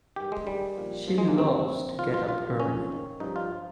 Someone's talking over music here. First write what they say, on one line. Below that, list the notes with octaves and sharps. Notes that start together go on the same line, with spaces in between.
She loves to get up early.
G2 D#3 G4
G#3
G2 D#3 G3
A#2 F3
G2 F3
G#3
A#3
G2 F3 C4
A#2 F3
G#2 F3 F4
F4
G2 D#3 F4
F2 C#3 F3 C#4
G#2 D#3
G2 F3 D#4
F4
F3